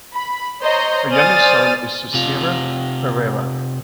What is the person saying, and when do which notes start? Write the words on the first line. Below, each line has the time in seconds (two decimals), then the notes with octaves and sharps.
Her youngest son is Sisira Perera.
0.14 B5
0.61 C5 C#5 D#5 A#5 C6 G6
1.10 C5 D5 G#5 D#6 F6 A6
2.14 C3 F4